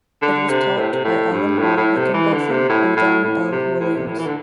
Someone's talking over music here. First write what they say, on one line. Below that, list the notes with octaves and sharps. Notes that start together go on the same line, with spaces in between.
It was taught by Alan R. Hickinbotham and John L. Williams.
D3
C3
A2
C3
A2
G2
A2
A2
C3
E3
D3
C3
A2
A2
A2
C3
A2
C3
A2
E3
D3